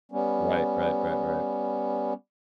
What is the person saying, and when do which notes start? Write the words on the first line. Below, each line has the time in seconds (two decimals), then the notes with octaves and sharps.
Right, right, right, right.
0.12 G3 B3 C#4